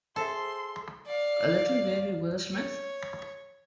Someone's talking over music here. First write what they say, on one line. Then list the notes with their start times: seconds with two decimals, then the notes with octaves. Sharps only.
A little baby Will Smith?
0.16 G#4 A4 C5 E5 C6
1.07 D5 F5
2.53 C#5